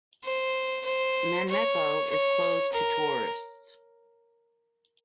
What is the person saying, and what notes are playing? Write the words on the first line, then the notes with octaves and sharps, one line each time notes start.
Menmecho is closed to tourists.
C5
C5
C#5
C#5
A#4